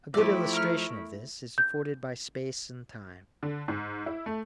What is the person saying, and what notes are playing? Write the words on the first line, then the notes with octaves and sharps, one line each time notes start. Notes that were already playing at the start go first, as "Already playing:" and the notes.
A good illustration of this is afforded by space and time.
F3 A3 E4 G4 D5 E5
A#4 C#6 F6
G6
D3
G#2
E4
A3